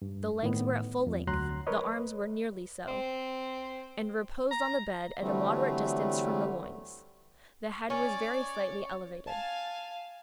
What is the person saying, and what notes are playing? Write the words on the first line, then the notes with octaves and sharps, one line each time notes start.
The legs were at full length; the arms were nearly so, and reposed on the bed at a moderate distance from the loin. The head was very slightly elevated.
G2
A2 D#3 B3
F2
D2 F#3 A#5 C6 F#6
A#4 B4 C#5 D#5
C4
A#5
D3 E3 F#3 G3 A3 C4
C#4 C#5 D5
F5 G#5 A5